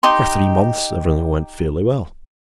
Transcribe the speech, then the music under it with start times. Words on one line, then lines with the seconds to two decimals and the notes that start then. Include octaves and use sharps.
For three months everything went fairly well.
0.03 D#4 G4 D#5 C6